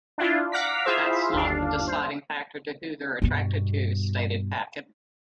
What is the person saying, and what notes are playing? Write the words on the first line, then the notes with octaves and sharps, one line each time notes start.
That's not the deciding factor to who they're attracted to, stated Paquin.
D4 E4 F4
F5 F#5 A#5 D6 B6
E4 F4 G#4 C5 E5 F5
G1 D#2 D4 F5
C5
G2 B2